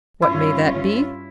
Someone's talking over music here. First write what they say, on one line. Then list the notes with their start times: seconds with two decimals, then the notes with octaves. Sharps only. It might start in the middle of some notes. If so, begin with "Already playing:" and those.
What may that be?
0.22 G2 C#4 E4 F4